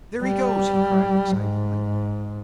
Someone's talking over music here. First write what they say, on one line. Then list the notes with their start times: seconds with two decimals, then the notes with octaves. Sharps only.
"There he goes!" he cried excitedly.
0.23 G3
1.37 G#2